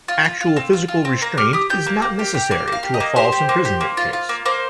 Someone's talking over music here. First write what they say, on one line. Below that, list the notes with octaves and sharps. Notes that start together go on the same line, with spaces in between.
Actual physical restraint is not necessary to a false imprisonment case.
F4
F4
F4
C4
F4
F4
C4
A#3 A#5
G4 F6
G4 D#6
G4 G6
A#3
A#3
G4
G4
A#3 F6
A#3 F5
G4
D#5
A#3
G4 C5
G4
A#3
G4
A#3
F4
F4
A#3
A#3 C5